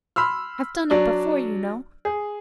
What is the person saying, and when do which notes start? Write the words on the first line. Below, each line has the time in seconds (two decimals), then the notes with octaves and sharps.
I've done it before, you know.
0.16 B5 C6 E6 F6
0.90 F#3 D4 D5
2.05 G#4